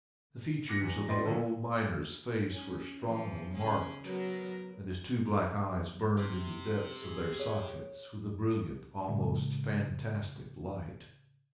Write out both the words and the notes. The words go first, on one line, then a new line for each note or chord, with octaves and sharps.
The features of the old miner's face were strongly marked, and his two black eyes burned in the depths of their sockets with a brilliant, almost fantastic light.
D6 F#6 A#6 B6 C#7
E2 E3
B4 C5 D5 D#5 G5 C6
E2 D3 F3 F#3
C#4
E3 F3
C#3 C#4 G#4
F#3 B3 A#4
G4 C5
G#4
C#5
A2 C#3 G#3